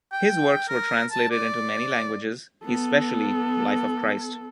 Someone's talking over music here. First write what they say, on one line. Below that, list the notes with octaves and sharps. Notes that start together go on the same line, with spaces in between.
His works were translated into many languages, especially "Life of Christ".
G5
A#4
A5
D5
B3 A4